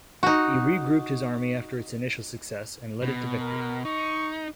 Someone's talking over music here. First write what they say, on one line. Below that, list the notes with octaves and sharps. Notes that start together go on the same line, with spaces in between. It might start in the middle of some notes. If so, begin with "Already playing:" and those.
He regrouped his army after its initial success, and led it to victory.
D#4 F#4
B2
A#4
D#4 C#6